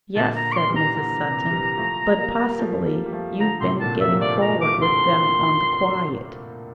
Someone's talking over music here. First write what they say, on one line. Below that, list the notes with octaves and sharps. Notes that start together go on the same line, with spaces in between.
'Yes,' said Mrs. Sutton; 'but possibly you've been getting forward with them on the quiet.'
A#2 D3 A5
A#5
D6
C6
E3 G3
A#5
A#2 D3 A#5
C3 E3
E3 G3
F3 A3
G3 A#3
G3 A#3
A#3
F3 A3
G3 A#3
G3
F3 A3
D3 F3 A#5
A2 C3 C6
A#2 D3 A5
G3 A#3 E5
F3 A3 D5
G3 A#3 A#5
F3 A3 D6
D3 F3 C6